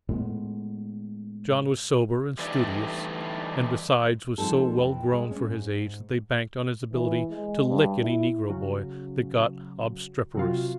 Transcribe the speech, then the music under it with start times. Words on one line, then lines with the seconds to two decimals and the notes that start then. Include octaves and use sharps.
John was sober and studious, and besides was so well grown for his age that they banked on his ability to "lick" any negro boy that got obstreperous.
0.09 A2 G#3 B3
2.39 D3 E3 G3 A3 D#4 D5
4.38 F3 G#3 C4 D#4 A4
4.76 F2 E3 G5
5.12 G#3
5.31 C#4
5.46 G#2
6.92 E3
7.30 G#3
7.68 G2
8.00 E4
8.49 C#3 F#3
10.35 C3 F#3 F4